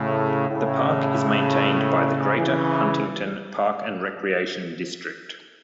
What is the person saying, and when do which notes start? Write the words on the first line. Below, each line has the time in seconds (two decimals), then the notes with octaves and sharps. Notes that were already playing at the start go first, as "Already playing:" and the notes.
The park is maintained by the Greater Huntington Park and Recreation District.
Already playing: A2 C#3
0.49 A2 C#3
2.36 C#3 E3